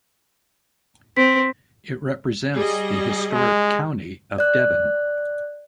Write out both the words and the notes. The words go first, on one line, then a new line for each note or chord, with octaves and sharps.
It represents the historic county of Devon.
C4 B6
G3 G#4 D#5
G#3
D5 F#6